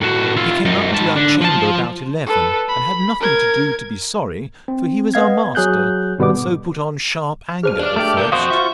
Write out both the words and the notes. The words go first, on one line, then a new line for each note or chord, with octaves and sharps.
He came up to our chamber about eleven, and had nothing to do to be sorry; for he was our master, and so put on sharp anger at first.
A2 F#4
F4 E5
F#2 D#4
G#2 A5
D3
F3 A5
A4 B4
B5
A#4 G#6
C4
B3 D#5 F5 G#6
F#3 G#4 F#6 G6
G#1 B2 G3 B3 D6
G2 B2 G#4 C5 F6 D#7
D4 D5
A3 G4 D5
A#2 A#3 D4 G6
F2 C3 F#4 C5 F5 D#6
F4 E5 C#6